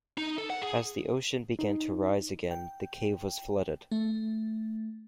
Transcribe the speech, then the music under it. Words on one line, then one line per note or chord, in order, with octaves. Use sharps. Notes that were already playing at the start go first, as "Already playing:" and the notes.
As the ocean began to rise again, the cave was flooded.
D#4
A4
F#5
G#4
D#4
G5
A3